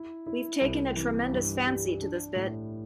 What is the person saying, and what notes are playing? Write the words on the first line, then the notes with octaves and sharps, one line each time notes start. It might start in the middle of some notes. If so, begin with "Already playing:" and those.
We've taken a tremendous fancy to this bit.
Already playing: E4
E4
C2
E3
G2
G3
D4
A2